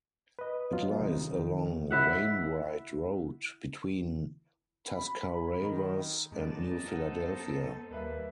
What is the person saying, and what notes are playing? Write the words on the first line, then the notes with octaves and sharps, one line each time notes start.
It lies along Wainwright Road, between Tuscarawas and New Philadelphia.
B4 D#5
F#3 B3 F4
C3 D#3 C4 D#4
D#3
E4 E5 F#5
B5
D#3
F#2 G#3 B3 D#4 D5 A5
B3 A4 C5 F#5
D#2 G3 A#3 B4 E5